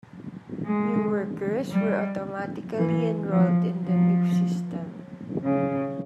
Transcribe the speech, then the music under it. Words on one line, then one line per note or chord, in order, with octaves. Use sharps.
New workers were automatically enrolled in the new system.
G#3
G3
E3
F3
F3
C#3